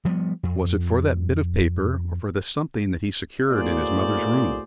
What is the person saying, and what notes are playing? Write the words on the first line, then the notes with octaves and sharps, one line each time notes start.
"Was it for that bit of paper or for the something that he secured in his mother's room?"
F3 G3 A#3 B3
F2
A2 A#3 F#4 G#4 C5 D5